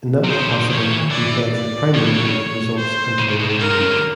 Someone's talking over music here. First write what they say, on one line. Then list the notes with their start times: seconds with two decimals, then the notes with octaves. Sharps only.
In that capacity, he heads the Prime Minister's Results and Delivery Unit.
0.24 C3
0.28 C#3 C5
0.39 C3
0.49 D3
0.60 D#3
0.70 D#3 C#5
0.81 F3
0.91 E3
1.11 E3 D5
1.54 D5
1.95 F3 C#5
2.04 E3
2.15 D3
2.26 C#3
2.77 C5
3.19 C#3
3.29 C3
3.40 B2
3.50 C3
3.60 C#3 A#4
3.71 C3
3.80 C#3
3.91 D3